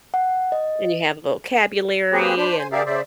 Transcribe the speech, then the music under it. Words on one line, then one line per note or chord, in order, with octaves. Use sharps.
And you have vocabulary and
F#5
D#5
A#3 C4 G4 G#4 B4
D4 C5 B5 D6
C5 G#5
G4 G#4 A#4 D5 E5 F5
C#3 C5 D5 E5